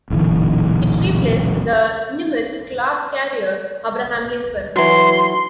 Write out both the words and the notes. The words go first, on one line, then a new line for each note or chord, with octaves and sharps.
It replaced the "Nimitz"-class carrier, "Abraham Lincoln".
D#1 B1 D3 E3
E3 F#3 C6